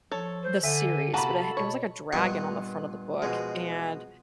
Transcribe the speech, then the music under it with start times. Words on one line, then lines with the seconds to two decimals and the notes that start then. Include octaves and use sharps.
the series, but, eh, it was, like, a dragon on the front of the book and
0.11 F3 A4 C#5
0.43 C5
0.63 D3 E5 G#5
1.14 C3 A#3 F#4 A4 A5 B5
1.57 B2 C#5
2.12 G2 A#2 B3 D4 D#5 C#6
3.22 B2 F3 G#3